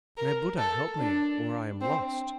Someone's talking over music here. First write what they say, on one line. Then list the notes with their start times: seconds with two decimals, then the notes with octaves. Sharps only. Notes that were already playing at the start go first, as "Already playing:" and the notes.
May Buddha help me or I am lost.
0.17 A#4
0.58 A4
0.99 D4
1.81 C4